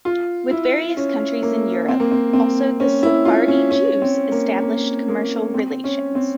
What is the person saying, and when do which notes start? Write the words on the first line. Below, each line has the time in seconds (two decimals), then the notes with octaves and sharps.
With various countries in Europe also the Sephardi Jews established commercial relations.
0.05 F4
0.51 E4
0.97 C#4
1.43 A#3
1.88 C4
2.00 A#3
2.11 C4
2.33 C4
2.80 C#4
3.03 E4
3.25 F4
3.48 C#4
3.71 C#4
4.02 C4
4.32 A#3
4.62 A#3
5.08 A#3
5.54 C4
5.84 C#4
6.15 C4